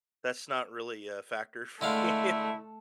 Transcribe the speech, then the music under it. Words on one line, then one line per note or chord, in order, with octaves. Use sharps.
that's not really a factor for me.
D3 G#3 A3 E4 F5